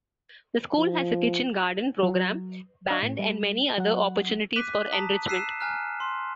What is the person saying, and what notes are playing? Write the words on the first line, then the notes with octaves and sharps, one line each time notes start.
The school has a kitchen garden program, band and many other opportunities for enrichment.
F3
F#3
D4 D5 D#5 F5 F#5
A2
G3
F#3 F#5
D6 F#6 B6 D#7
A5 A#5 D#6 B6
E6 F#6 B6 C7 D#7 E7
G#5 A#5 F6 F#6
C6